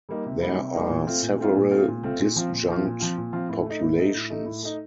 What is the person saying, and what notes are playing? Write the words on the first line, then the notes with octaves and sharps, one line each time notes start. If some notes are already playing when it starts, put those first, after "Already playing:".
There are several disjunct populations.
G3 A#3 D#4
C3
G3 A#3 D#4
C3
G3 A#3 D#4
A#2
A3 C4 F4
A#2
A3 C4 F4
A#2
A3 C4 F4
A#2
A3 C4 F4
A#2
F3 C4 F4
A#2
F3 C4 F4
A#2
F3 C4 F4
A#2
F3 C4 F4
A2
A3 D#4
A2
A3 D#4
A2
A3 D#4
A2
A3 D#4